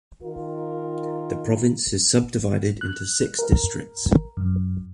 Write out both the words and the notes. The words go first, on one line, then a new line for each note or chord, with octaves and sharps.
The province is subdivided into six districts.
D#3 F4 A#4
F#6
A#4
F#2